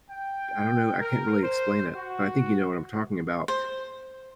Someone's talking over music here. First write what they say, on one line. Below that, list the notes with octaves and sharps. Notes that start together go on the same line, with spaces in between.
I don't know, I can't really explain it, but I think you know what I'm talking about.
G5
A#4
C5
F#4
C5